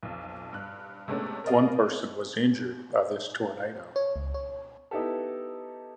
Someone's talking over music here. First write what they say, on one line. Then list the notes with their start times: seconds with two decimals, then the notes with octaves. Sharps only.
One person was injured by this tornado.
0.03 B1 F2
0.53 G2 F#6
1.08 C3 G#3 A3 B3 C#4 D4
1.44 A#4 C5 D5 D#5 F5
3.96 C#5
4.16 C#2
4.34 C#5
4.91 B3 D#4 E4 G4 A4